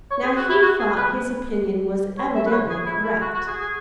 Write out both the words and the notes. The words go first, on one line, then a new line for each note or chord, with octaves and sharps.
Now he thought his opinion was evidently correct.
C#5
G#4
F#4
E4
F#4
G#4
B4
C#5
E5
B4
C#5
G#4
E4
E4
F#4
F#4
G#4
G#4